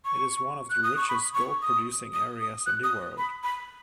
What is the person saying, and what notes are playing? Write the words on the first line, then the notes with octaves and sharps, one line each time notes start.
It is one of the richest gold-producing areas in the world.
C#6
F#6
D#6
C#6
B5
C#6
D#6
D#6
D#6
F#6
D#6
B5
B5